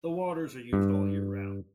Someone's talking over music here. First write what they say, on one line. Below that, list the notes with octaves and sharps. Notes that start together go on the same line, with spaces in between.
The waters are used all year round.
G2